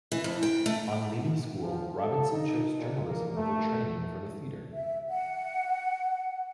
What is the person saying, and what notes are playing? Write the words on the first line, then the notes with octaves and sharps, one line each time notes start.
On leaving school, Robinson chose journalism over training for the theatre.
E3
F2
G5
A3
F3
A4
D#4
A#2
A#3
A3
E5
F#5